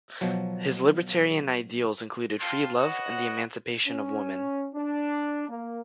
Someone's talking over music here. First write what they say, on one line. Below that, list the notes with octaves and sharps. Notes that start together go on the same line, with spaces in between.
His libertarian ideals included free love and the emancipation of women.
B2 F3 F#3
F4 G5 A5 C6
F#4 B4 C#5 D#5 F#5
C#4
D4
A#3